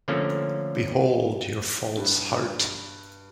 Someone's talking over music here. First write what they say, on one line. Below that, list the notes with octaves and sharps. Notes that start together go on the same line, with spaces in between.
Behold your false heart!
D3 F3 A3 A#3 C#4
G2